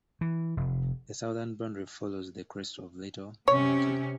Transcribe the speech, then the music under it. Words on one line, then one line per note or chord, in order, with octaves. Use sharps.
The southern boundary follows the crest of Little Mountain.
E3
F1
C3 C#4 C#5